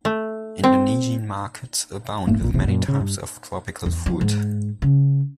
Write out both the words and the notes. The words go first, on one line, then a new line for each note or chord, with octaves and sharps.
Indonesian markets abound with many types of tropical fruit.
A3
C4
E1 G#2 A3 A#3
A#1 A#2
F1 B1 E2 C3
F#2 A#2
C#3
G2
E2
F3
G#2
C#3